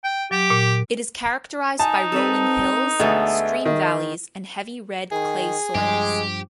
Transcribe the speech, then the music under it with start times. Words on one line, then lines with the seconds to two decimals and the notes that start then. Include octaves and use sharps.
It is characterized by rolling hills, stream valleys, and heavy red clay soils.
0.04 G5
0.31 F#3 G4
0.50 A#2
1.79 D#4 G#5 A5
2.12 C4 A4 B4
3.00 D2 G#3 B3 A4 E5
3.65 D#3
5.12 D#3 G#4
5.75 G2 F3 G#3 G4